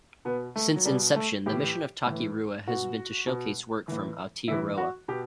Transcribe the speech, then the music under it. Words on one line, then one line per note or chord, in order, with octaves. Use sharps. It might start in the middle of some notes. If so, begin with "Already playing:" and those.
Since inception the mission of Taki Rua has been to showcase work from Aotearoa.
B2 B3
A3
F#3
B2 G3
A3
A2 E3 G4
A2 E3
B2 F#4
B2
A2 E3
A2 E3 E4
F#4
B2 G4